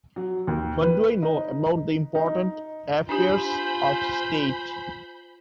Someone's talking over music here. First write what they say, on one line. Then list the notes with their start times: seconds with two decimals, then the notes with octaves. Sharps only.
What do I know about the important affairs of state?
0.16 F#3
0.47 D#2
0.81 B4
1.22 D#4
2.15 D#4
3.09 D4 D#4 F4 G4 C5 G#5 B5 G6